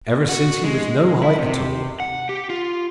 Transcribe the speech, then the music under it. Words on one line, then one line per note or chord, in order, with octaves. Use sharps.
"Ever since he was--no height at all."
F#4
G#3
E4
C3
F#5
G4
F4